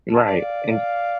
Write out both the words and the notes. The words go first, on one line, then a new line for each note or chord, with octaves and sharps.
Right, and
A5
D5
F5
F5